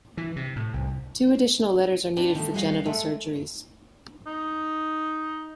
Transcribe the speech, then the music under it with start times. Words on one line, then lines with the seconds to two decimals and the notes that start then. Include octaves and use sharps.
Two additional letters are needed for genital surgeries.
0.17 E3
0.36 C3
0.56 A2
0.74 C2
2.16 C4 D4 E4 D5
2.35 D#3 F3 G3 A3 A#4
2.54 G3 G#4 B4 C#5 D#5 F5
2.85 G#3 A3
4.27 D#4